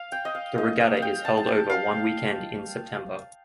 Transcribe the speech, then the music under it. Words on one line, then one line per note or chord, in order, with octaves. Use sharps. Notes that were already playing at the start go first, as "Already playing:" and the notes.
The regatta is held over one weekend in September.
Already playing: F5
G5
D#5
F5
D#5
F5
F5
G5
A5
A5
G5
F5